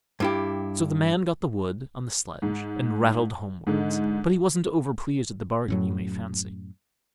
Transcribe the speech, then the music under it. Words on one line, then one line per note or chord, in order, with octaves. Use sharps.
So the man got the wood on the sledge and rattled homewards, but he wasn't over pleased at the bargain you may fancy.
G2 E4 G4
G#2
G#2 D3 G#3
F#2 A2 F#3